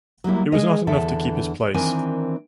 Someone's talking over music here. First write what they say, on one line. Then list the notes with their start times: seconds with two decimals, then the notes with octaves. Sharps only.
It was not enough to keep his place.
0.24 F#3 G3 A#3 E4
0.52 G#3 G#4 D#5
0.87 E2 D3 E3 A4 E5
1.74 D#3 E3 C4 D4 A#4 G#5